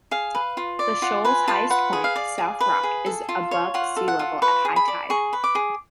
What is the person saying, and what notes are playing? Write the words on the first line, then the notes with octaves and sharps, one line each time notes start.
The shoal's highest point, "South Rock", is above sea-level at high tide.
G#4 F5
B4
F4
D5
F4 F#5
B4 G#5
F4 A5
B4 F#5
G#4
F5
D5
G#4
B4
G#4
A4
F4
C#5
F4 F#5
A4
F#5
F4
B4 C#6
G#4
B5
D5
G#4 C#6
B4
D6
G#4